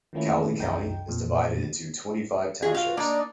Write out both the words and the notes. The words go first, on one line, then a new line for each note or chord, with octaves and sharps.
Cowley County is divided into twenty-five townships.
D#3 F3 A3 A#3 C#4 E4
C2 F#2 D#4 G5
F2 A#2
F4 F#4 G#4
F5
A#3 D4 D#4 D5